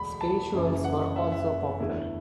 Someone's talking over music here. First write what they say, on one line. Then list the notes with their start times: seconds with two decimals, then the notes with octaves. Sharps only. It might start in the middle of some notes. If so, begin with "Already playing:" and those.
Spirituals were also popular.
Already playing: E1 D2 B5
0.21 A5
0.53 F#1 F#2 E3
0.84 F#5
1.16 E5
1.32 E5
1.80 E2 D3 A3 E4